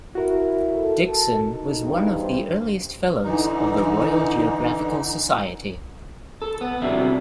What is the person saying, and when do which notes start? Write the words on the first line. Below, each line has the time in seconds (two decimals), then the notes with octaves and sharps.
Dickson was one of the earliest fellows of the Royal Geographical Society.
0.15 E4 F#4 A#4
0.74 A4
1.10 A5
1.45 D#4
1.80 E2 G2
2.20 C5
3.23 D3 E3 D#4
6.42 A4
6.61 B3
6.82 C2 C3 F#3 D4 E5